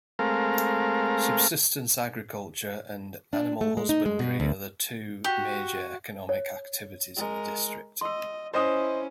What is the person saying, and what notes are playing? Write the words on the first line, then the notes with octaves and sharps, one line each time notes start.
Subsistence agriculture and animal husbandry are the two major economic activities in the district.
G#3 A3 C4 A#4 F5
D4
A3
G#3
D#4
G#3
B2
D2
F#4 G4
C#5
G#3 A#4
D#5 C6 E6
C#4 E4 C5 D#5 D#6